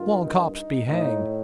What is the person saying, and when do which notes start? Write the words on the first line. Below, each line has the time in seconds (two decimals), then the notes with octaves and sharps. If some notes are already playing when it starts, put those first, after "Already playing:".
Small cops be hanged!
Already playing: G2 D#3 F4
0.22 D#4
0.55 D#4
0.87 A2 D#4